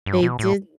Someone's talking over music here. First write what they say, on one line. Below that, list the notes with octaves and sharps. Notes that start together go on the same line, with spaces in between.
They did
G2
B2
A2